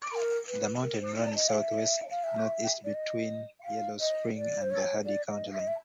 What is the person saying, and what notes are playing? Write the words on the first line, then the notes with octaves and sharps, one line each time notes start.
The mountain runs southwest northeast between Yellow Spring and the Hardy County line.
A#4
B4
A#4
C5
D5
D#5
F5
E5
F5
E5
D5
D#5
F5
D#5
D5
C5
C#5
D5
D#5
E5
D#5
E5